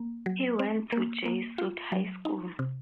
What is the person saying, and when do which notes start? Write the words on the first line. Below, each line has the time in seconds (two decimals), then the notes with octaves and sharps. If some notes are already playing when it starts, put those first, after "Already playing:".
He went to Jesuit High School.
Already playing: A#3
0.26 F#3
0.59 C4
0.92 A#3
1.26 A#3
1.58 F4
1.92 F#3
2.25 D#4
2.59 C3